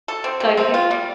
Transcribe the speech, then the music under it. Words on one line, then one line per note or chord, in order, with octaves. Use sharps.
So, you
A4
C4
C3
C4
F4
G3